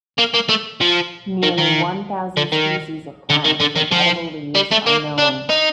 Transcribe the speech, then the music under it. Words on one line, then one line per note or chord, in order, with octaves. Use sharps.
Nearly one thousand species of plants with edible leaves are known.
A#3
A#3
A3
F3
D#3
D#3
D3
D#3
D3
D#3
D3
D#3
F3
G3
A3
A#3
D4
D#4